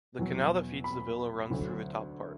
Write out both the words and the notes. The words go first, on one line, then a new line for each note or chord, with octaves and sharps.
The canal that feeds the villa runs through the top part.
E2 B2 F#3
B5
D2 D3 F#3